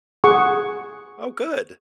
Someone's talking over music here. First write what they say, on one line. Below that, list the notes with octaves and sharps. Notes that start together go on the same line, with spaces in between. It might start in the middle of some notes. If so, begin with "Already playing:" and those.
Oh, good.
G#4 F#5 C#6